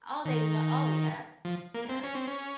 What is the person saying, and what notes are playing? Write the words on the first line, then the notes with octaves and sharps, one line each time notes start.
Oh, they lo Oh, yes. Yes.
D#3
F3
A#3
C4
C#4
C4
C#4